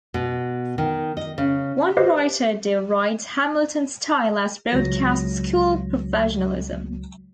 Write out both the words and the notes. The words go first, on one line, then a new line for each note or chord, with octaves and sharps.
One writer derided Hamilton's style as broadcast-school professionalism.
B2
D#3
D#5
C#3
G4 B4 C5 D#5 F5
C#2 F#3 A#6